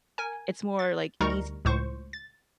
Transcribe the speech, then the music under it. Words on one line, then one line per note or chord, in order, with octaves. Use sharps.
it's more, like, easy
A#4 G#5
A6
D2 G3 D#4 A#4 A#5 C#6
C#2 A2 C5 C#6
A6